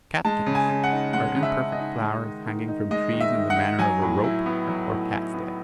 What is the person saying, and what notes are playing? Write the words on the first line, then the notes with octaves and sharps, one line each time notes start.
Catkins are imperfect flowers hanging from trees in the manner of a rope or cat's-tail.
G#3 A5
C#3
G#5
C#3
F#5
D#4
G#3 F#5
C#3
E5
C#3
D#5
D#4
G#3
D#3
D#3
D#4
G#3 D#5
D#3
E5
D#3
F#5
D#4
F#3 G#5
A2
E4
B3
F#3
A2
E4
B3